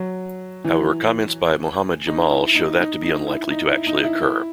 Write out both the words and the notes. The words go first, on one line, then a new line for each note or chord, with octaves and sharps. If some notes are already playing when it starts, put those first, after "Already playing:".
However comments by Mohammed Jamal show that to be unlikely to actually occur.
Already playing: F#3
E3
D#4
E4
D#4
D#4
D#4
E4
D#4
E4
D#4
E4
E4